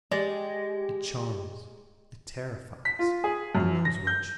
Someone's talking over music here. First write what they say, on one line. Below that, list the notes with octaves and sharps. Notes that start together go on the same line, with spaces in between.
It charms, it terrifies; who knows which?
G#3 G4 D5
B6
F4
G#4
F#2
A#6
G6